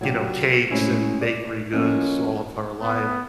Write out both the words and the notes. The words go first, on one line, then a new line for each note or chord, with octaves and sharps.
you know, cakes and bakery goods all of her life.
F#3 D4 E4 F4 G4
A2 G#3 C4 C#4 E4
D5
F3 A#3 C4 C#4 D#5
B3